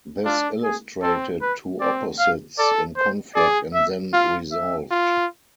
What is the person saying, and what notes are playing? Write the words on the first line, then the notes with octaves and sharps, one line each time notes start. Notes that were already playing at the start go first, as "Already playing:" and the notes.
This illustrated two opposites in conflict and then resolved.
D4 F4
G#4
C4 A4
B4
C4 D5
F5
A4 D5
C5
G#4 D5
E5
F4 F5
E5
F4